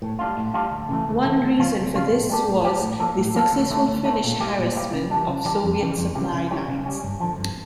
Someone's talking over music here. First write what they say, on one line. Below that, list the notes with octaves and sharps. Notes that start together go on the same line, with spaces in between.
One reason for this was the successful Finnish harassment of Soviet supply lines.
A2
G3 D4 F4
A2
G3 D4 F4
D2
C#3 E3 A3
D2
C#3 E3 A3
D2
C#3 F3 C#4 F4
D2
C#3 F3 C#4 F4
A2
G3 D4 G4
A2
G3 D4 G4
A2
F3 A#3 D4 A4
A2
F3 A#3 D4 A4
D2
D3 A3 D4
D2
D3 A3 D4
A#2
G3 A#3 E4 G4
A#2
G3 A#3 E4 G4
C#3
E3 G3 D4
C#3
E3 G3 D4
F2
C#3 E3 G3
F2
C#3 E3 G3
C#3
G3 C#4
C#3
G3 C#4
G2
D3 F3
G2